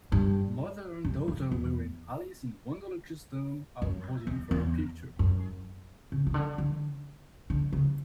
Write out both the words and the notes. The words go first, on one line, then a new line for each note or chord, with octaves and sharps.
Mother and daughter wearing Alice in wonderland customs are posing for a picture.
G2
G2
F#2
E2
F#2
E2
E2
F#2
C#3
C#3
D3
D3
D3
C#3